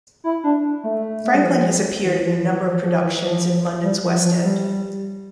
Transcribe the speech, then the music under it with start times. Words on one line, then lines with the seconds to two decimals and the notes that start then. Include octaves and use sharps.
Franklin has appeared in a number of productions in London's West End.
0.24 E4
0.44 D4
0.84 A3
1.24 A3
1.34 G3
1.44 F3
2.04 E3
2.24 F3
2.44 E3
2.64 F3
2.83 F3
3.03 E3
3.23 F3
3.83 G3
4.03 F3
4.23 F3
4.44 G3